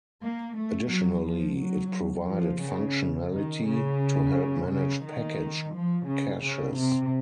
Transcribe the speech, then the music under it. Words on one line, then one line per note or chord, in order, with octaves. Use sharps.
Additionally, it provided functionality to help manage package caches.
A#3
A3
F#3
F3
F#3
F3
C#3
D#3
C#3
C#3
D#3
F3
C#3
C#3
C3